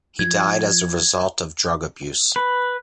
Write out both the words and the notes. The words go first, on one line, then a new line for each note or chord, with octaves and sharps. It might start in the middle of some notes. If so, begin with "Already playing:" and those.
He died as a result of drug abuse.
F3 G#6
B4